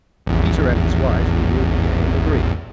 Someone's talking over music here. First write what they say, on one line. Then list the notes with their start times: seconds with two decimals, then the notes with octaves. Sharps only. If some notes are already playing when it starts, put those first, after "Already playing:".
Peter and his wife, who knew the game, agreed.
0.27 A1 E2